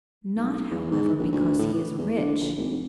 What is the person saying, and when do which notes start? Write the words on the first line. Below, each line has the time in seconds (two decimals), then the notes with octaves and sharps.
"Not, however, because he is rich."
0.36 B1
0.71 E2
0.91 G#2
1.19 A#1
1.32 D2
1.59 A2
1.74 E3
1.98 E2
2.19 D3
2.40 A#1
2.57 G#1
2.71 F1